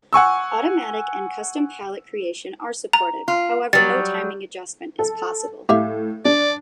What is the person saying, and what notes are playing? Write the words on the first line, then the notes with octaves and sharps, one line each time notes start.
Automatic and custom palette creation are supported, however no timing adjustment is possible.
F#5 G#5 C#6 E6
A#5
F4
F#3 G3 A6
A4
A2 G4 E5 F5
D4 D5